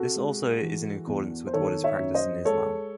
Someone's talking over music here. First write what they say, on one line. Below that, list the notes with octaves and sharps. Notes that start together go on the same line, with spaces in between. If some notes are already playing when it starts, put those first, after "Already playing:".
This also is in accordance with what is practiced in Islam.
Already playing: C3 F#4 A4
G#3
E3
E2
C5
D#3 A4 C#5
C#5 E5
F#2
C5 D#5
G#3 A4 C#5